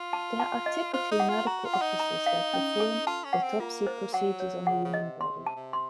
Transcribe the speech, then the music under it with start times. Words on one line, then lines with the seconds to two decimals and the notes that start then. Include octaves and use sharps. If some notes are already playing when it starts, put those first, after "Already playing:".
They are typically medical officers that perform autopsy procedures on the human body.
Already playing: F4
0.13 A5
0.40 A5
0.66 D#5
0.93 F4 C5
1.11 D#4
1.20 F#5
1.29 F4
1.46 F#4 A#5
1.65 F4
1.73 F#5
1.82 D#4
1.99 A#5
2.26 F5
2.53 C#4
2.80 A4
3.06 F4 A5
3.25 C#4
3.33 F#5
3.43 C4
3.59 A#3 F4
3.87 C5
4.13 F#3 F#5
4.40 C#5
4.67 C#3 F#5
4.85 C#3
4.94 D#5
5.02 C3
5.20 C#3 C6
5.38 C3
5.46 A5
5.56 C3
5.73 C6